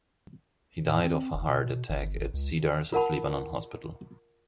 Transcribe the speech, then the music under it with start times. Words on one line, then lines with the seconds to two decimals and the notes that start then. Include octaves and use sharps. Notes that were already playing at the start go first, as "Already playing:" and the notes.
He died of a heart attack at Cedars of Lebanon Hospital.
0.87 A2
1.04 C4
1.34 F1
1.49 B2
1.90 G1
2.19 G#1
2.34 C#2
2.93 F4 A#4 F#5 A5 B5